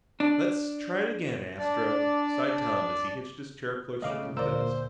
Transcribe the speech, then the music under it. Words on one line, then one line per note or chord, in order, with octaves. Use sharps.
"Let's try again, Astro," sighed Tom as he hitched his chair closer to the desk.
D4
D4 D5
C#3 A3 D#5 F5 D6
D2 A#2 A#3 F4 A#4 C5 D5 E6